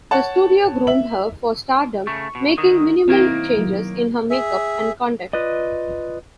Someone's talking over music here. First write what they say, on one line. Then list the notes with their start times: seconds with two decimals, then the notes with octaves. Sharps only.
The studio groomed her for stardom, making minimal changes in her makeup and conduct.
0.11 C#5 F#5 A5
0.87 E5 F#7
2.07 C#3 A3 C#6
2.35 B2
2.58 D3 D#3 D#6
3.08 B1 D#3 A#3 C4 E4
3.59 F#3
4.30 G#4 E5
5.33 F4 B4 D5 D#5